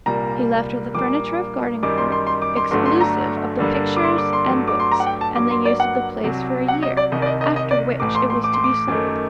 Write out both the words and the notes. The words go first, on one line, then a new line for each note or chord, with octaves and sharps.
He left her the furniture of Gardencourt, exclusive of the pictures and books and the use of the place for a year; after which it was to be sold.
C2 A#2 G3 A#3 A#5
A#1 A#2 G3 A#3 D6
F#2 D#3 G3 D6
C6
C6
C6
D6
C6
G1 G2 D3 F#3 A3 C6
C6
A#5
G2 D3 G3 A#3
D6
C6
D6
C6
G2 F#3 A3
D6
C6
A#5
F#5
G5
A5
G2 F#3 A#3 D6
C6
D5
F#5
C2 C3 F#3
F#5
D#5
D5
C2 C3 D#3 D#5
D5
D#5
D#5
D#5
D5
A1 A2 A3 D6
C6
C6
D6
C6
D6
F#2 D#3 A3